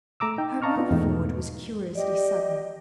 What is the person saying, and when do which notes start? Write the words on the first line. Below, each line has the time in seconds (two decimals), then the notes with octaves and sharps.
Her move forward was curiously sudden.
0.20 A3 A#5 D6 E6
0.38 D#4 G5
0.62 D#5 F5 A5 A#5 C#6 F6
0.77 B3 D4 F4
0.91 E2 G#2 B2 A3 D#4
1.95 G4 D5 D#5